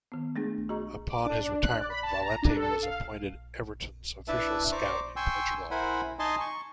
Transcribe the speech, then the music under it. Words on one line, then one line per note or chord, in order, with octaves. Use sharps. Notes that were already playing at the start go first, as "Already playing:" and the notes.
Upon his retirement, Valente was appointed Everton's official scout in Portugal.
D#3 B3
G#3 A3 D4 G#4
F#4 G#4 D#5 A#5 C#6
D6
D4
D4
F#6
D5
B5
A5
A#5
D4
A4
F5
D4 E4 B4 E5 A5
C5 D5 A#5 C#6 D6
G5 G#5 C6 C#6 E6
E4 A#4 C5 F#5 G#5 B5
D#4 D#5 G#5 A5 C6
C#6